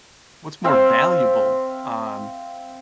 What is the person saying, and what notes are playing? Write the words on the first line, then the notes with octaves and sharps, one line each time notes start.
what's more valuable, um
C4 E5 F5